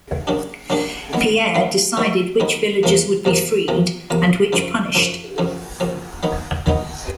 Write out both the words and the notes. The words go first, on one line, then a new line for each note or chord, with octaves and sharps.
Pierre decided which villagers would be freed and which punished.
C#3 F#3 A#3 D4 G4
C#3 F#3 A#3 D4 G4
D#3 F#3 B3
D#3 F#3 B3
D#3 F#3 B3
D#3 F#3 B3
E2 C3 F3 A#3
E2 C3 F3 A#3
E2 C3 F3 A#3
E2 C3 F3 A#3
F#2 C#3 F3
F#2 C#3 F3
F#2 C#3 F3
F#2 C#3 F3
D#3 F#3 B3 D#4
D#3 F#3 B3 D#4